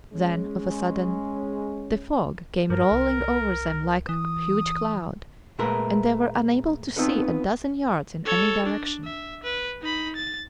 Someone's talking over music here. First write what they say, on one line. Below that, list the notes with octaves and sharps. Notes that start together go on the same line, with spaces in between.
Then, of a sudden, the fog came rolling over them like a huge cloud, and they were unable to see a dozen yards in any direction.
G#3 C#4
G2 A#4
C2
E3 D#6
A#2 G#3 A3 A#4 B4
B3 C4 D#4 F4 A4 B4
A4 C#5
D4
E5
B4
D#4 B5
A6